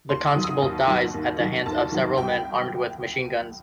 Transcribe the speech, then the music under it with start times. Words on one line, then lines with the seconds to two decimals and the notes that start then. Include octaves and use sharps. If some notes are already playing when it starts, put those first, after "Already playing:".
The Constable dies at the hands of several men armed with machine guns.
0.09 D#2 C6
0.27 D#6
0.35 D#3 F#3
0.44 D#6
0.62 D#2
0.87 D#3 F#3
1.14 D#2
1.40 D#3 F#3
1.66 D#2 A5
1.92 D#3 F#3
2.18 C2 G5